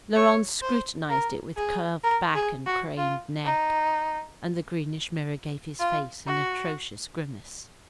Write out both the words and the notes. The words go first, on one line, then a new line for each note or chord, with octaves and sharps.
Laurent scrutinised it with curved back and craned neck, and the greenish mirror gave his face an atrocious grimace.
C#5
C5
A#4
G#4
A#4
G#4
F#4
F4
D#4
F4
F#4